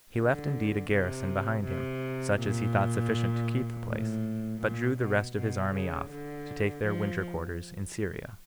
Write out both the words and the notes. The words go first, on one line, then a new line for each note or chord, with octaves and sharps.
He left indeed a garrison behind him, such as he thought sufficient to keep the place, but drew the rest of his army off, to take their winter-quarters in Syria.
D3
C3
C3
A#2
A2
A#2
B2
B2
C#3
D3
F3